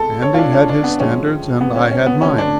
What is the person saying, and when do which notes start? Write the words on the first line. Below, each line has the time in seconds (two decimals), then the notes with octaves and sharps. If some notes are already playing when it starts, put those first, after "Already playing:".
Andy had his standards and I had mine.
Already playing: B2 G#3 A4
0.22 C#5
0.34 F4
0.39 D4
0.53 C#4
0.69 D4
0.84 B3
0.99 A2 F3 G#3 C#4
1.61 B3
1.76 C#4
1.91 C#4
2.06 B3
2.22 D3 F#3 A3 C#4
2.38 D4